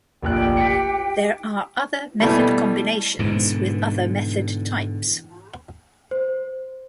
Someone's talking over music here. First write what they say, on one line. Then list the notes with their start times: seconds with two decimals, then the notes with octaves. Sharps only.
There are other Method-Combinations with other method types.
0.22 F1 A#1 G4 G5 F#6
0.57 B6 C#7
2.20 B2 E3 G3 A3
3.19 G#2 B2 D3 E3
6.11 C5